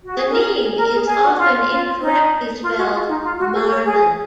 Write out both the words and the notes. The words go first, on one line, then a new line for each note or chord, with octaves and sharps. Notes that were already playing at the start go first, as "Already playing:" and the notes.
The name is often incorrectly spelled "Marmon".
F#4
G#4
A#4
G#4
A#4
G#4
G#4
F#4
F4
F4
D#4
F4
F#4
F4
D#4
F4
F#4
G#4
C#5
G#4